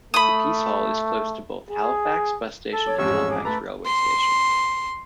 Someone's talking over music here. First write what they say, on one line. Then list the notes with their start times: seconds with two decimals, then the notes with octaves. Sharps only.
The Piece Hall is close to both Halifax bus station and Halifax railway station.
0.14 A3 B5 D#6
1.70 G#4
2.73 A4
2.87 C#5 D6
2.99 A1 F2 G#2 G4 C#6 E6
3.13 G#4
3.30 G#4 D6
3.45 A3 A4 B4 A#5
3.86 C6